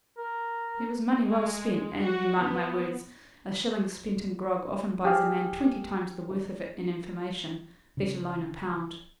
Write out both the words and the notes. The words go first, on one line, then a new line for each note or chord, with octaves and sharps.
It was money well spent, and, you mark my words, a shilling spent in grog often buys a man twenty times the worth of it in information, let alone a pound.
A#4
G#3
F#4
B3
G4 G#4 F5
C#3